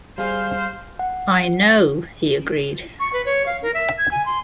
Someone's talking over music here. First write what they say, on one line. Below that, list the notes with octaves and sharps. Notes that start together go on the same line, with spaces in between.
"I know," he agreed.
G3 G#4 C5 F5
F#5
C#6
B4
C#5
F5
A#4
E5
G#6
G#5
C6